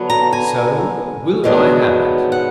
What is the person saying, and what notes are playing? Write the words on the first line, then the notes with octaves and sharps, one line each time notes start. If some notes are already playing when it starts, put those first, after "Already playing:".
So will I have it.
Already playing: D3 F#3 B3
A#5
G#5
G#2 D#3 F#3 B3 D4
F#5